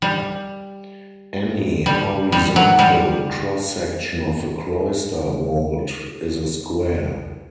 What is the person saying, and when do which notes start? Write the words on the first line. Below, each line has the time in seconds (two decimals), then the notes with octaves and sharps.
Any horizontal cross-section of a cloister vault is a square.
0.02 G3
1.86 G3
2.32 G3
2.56 F#3
2.79 G3